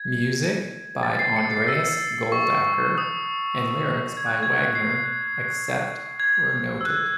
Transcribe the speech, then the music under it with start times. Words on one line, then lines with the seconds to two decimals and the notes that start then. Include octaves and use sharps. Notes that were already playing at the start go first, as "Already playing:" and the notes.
Music by Andreas Goldacker and lyrics by Wagner except where noted.
Already playing: G#6
1.03 A6
1.15 A6
1.19 C7
1.36 C#7
1.51 C7
1.68 E6
2.32 C#6
2.64 C#6
2.98 D#6
4.17 G#6
4.26 F#6
4.43 G#6
4.75 C7
4.90 C7
6.20 G#6
6.81 E6
6.85 F#6